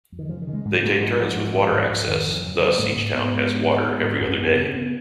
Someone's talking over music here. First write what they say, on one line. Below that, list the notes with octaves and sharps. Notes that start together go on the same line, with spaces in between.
They take turns with water access, thus each town has water every other day.
F2
D#3
C#3 F3
D#3
C#3
G#3
G#2 G#3
G#3
G#2 A#3
G#2 F#3
G#2 F3
G#2
G#2
G#2
G#2
F2 D#3
F2 F3
C#3 F#3
C#3 F#3
G#2 A#3
G#2
G#2 B3
G#2
G#2
G#2
G#2
G#2
F#2 C#4
F#2 B3
C#3 B3
C#4
C#3 B3